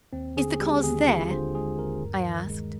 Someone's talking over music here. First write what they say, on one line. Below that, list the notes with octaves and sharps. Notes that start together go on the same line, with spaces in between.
"Is the cause there?" I asked.
D#2 C4
D3 G#4
G#4
G#3 G4
D#2 G#4
D#2 F4
D3 C5
G#3 G#4
D#2 A#4
G2
D#3
G#3